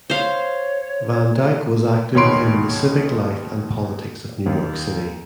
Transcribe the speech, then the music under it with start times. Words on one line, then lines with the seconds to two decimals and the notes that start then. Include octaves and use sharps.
Van Dyck was active in the civic life and politics of New York City.
0.10 C5 C#5 F5
2.15 D#2 B2 C#5 B5 C6 D7
4.46 D#2